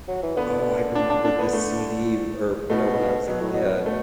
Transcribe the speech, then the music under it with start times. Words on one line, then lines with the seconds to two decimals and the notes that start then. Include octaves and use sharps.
"Oh, I remember this CD." Or, you know, when I was a kid,
0.08 F#3
0.23 E3
0.37 D3 B3
0.95 D4
1.10 D4
1.25 D4
1.39 B3
1.53 A3
2.70 B2 A3
3.28 B2 F#3
3.41 A2
3.54 B2
3.86 A3